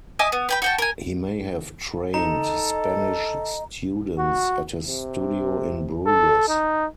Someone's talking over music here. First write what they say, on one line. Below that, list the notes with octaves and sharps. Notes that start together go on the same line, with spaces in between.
He may have trained Spanish students at his studio in Bruges.
D#5 E5 G#5 D6
B3
B4 G5 B5
F#4 G5 A5
A#4 G#5
D#4 A4 D#5 A#5
F#4
C3
A4
D#4